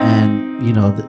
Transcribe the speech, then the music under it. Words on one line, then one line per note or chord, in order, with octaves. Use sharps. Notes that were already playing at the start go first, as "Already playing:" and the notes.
And, you know, the
Already playing: C4 D#4